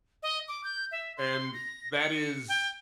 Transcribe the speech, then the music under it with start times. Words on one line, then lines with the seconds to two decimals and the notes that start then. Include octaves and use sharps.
And that is
0.23 D#5
0.48 D6
0.64 G6
0.92 E5
1.17 C6
1.54 A#6
1.99 C#7
2.49 G5